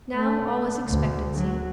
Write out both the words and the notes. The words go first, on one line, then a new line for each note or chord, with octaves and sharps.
Now all was expectancy.
A3
D2
F#3